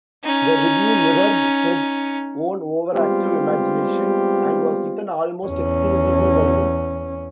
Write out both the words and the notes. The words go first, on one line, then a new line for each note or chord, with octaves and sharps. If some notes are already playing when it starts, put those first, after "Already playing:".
The "Review" mirrored Stead's own over-active imagination and was written almost exclusively by him.
C#4 D#4
G3 G#3 B3 C4 F4 G4
E2 C#4